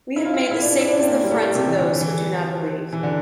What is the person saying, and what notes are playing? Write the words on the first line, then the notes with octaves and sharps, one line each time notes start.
We have made the Satans the friends of those who do not believe.
E4
F4
E4
F4
E4
D4
E4
D4
C4
A#3
G3
A3
C3
E3
D3
E3
E3
D3